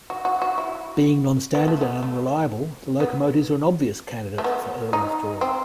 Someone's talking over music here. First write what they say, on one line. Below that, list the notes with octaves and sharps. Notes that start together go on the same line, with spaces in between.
Being non-standard and unreliable, the locomotives were an obvious candidate for early withdrawal.
F#4
F#4
F#4
E4
B3
A3
B3
A3
B3
A3
B3
D#4
C4